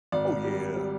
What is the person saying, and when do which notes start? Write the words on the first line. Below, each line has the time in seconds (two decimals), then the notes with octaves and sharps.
Oh, yeah.
0.12 G#1 D5
0.44 G3
0.77 G3